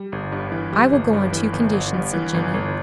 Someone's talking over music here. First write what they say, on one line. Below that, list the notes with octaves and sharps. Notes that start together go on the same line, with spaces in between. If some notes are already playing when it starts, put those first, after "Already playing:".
"I will go on two conditions," said Jimmy.
Already playing: G3
G1
G2
E3
G3
G1
G2
E3
G1
G1
G2
E3
G1
G1